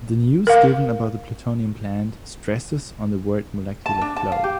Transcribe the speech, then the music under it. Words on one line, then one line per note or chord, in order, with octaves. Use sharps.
The news given about the plutonium plant stresses on the word molecular flow.
A#4 F5
A5
D4
A5
F5
G4